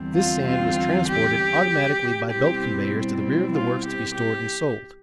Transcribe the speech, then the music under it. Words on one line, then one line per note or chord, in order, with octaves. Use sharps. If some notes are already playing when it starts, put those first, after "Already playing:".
This sand was transported automatically by belt conveyors to the rear of the works to be stored and sold.
Already playing: E2 D3 G3 C4
F4
F4
G4
B2 G3 C4 E4 G4
F4
G4
G4